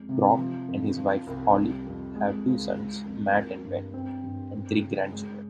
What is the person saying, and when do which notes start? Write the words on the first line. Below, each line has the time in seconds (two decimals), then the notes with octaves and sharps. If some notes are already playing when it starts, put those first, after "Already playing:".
Grobe and his wife Holly have two sons, Matt and Ben, and three grandchildren.
Already playing: F2 G#3
0.09 C3
0.38 F3
0.68 F2
0.97 F3
1.27 C2
1.56 G3
1.86 F2
2.16 G#3
2.46 C#2
2.76 G#3
3.05 F2
3.34 A#3
3.64 G2
3.94 C4
4.23 G2
4.53 C4
4.83 C#3
5.13 G#3